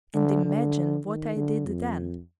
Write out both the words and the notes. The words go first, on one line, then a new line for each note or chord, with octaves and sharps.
And imagine what I did then!
D3
D3
D#3
D3
F2